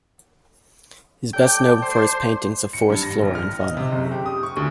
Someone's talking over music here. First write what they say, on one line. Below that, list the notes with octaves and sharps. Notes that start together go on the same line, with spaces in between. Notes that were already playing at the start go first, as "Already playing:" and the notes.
He is best known for his paintings of forest flora and fauna.
A4 D5 G5
A4 C5 C6 D6
C#7
G2
A#6
A#1
F6
D#5
C3
F#1
G4
D#6
C#6
D2